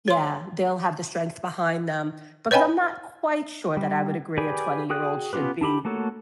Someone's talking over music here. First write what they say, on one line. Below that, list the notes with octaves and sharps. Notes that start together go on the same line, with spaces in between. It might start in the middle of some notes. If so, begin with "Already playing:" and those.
yeah, they'll have the strength behind them because I'm not quite sure that I would agree a twenty-year-old should be
C#5 C6
B4 C#5 D#5 G5 G#5 B5
G3
G4 G#4 B4 D5 G#5
F#4 G#4 G5 D#6 F#6
B3 C#4 F4 G4 B4
D4 E4 G4 B5
A3 A#3 F#4 A4 C#5